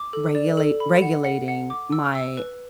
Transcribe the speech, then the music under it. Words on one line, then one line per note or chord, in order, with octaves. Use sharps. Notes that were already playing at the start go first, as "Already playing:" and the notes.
regulate regulating my
Already playing: D6
A4
D5
A4
B5
F#5
F#5
F#5
D6
E6
E6
B4